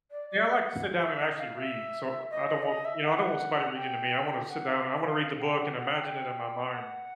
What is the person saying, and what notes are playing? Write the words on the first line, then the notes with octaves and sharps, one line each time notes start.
Yeah, I like to sit down and actually read, so I don't want you know, I don't want somebody reading to me, I wanna sit down, and I wanna read the book and imagine it in my mind
D5
D5
E5
F#5
E5
D#5
F5
E5
D#5
D#5
D5
D#5
E5
F#5
G5
F#5
F5
E5
F5
F5
G5
F#5
F#5
G5
F#5